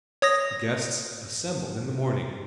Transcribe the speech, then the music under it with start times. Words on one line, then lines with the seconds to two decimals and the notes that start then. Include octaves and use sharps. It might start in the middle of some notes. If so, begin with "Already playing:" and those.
The guests assembled in the morning.
0.22 C#5 D#6 A#6